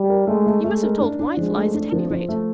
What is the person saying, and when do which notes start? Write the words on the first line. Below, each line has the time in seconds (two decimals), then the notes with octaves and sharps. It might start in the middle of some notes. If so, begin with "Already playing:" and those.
You must have told white lies, at any rate.
Already playing: G3
0.09 A#4
0.27 G#3 A3
0.46 A3
0.64 G#3 A3
0.82 A#4
1.00 D4
1.19 D4
1.37 F3 G#3
1.55 A3
1.74 D4
1.92 F3
2.10 F3
2.29 A3